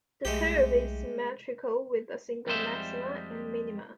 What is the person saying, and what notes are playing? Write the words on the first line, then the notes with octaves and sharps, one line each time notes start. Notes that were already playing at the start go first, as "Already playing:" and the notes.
The curve is symmetrical with a single maxima and minima.
B1 G#3 A3 G4
F2 G3 G#3 C5 E5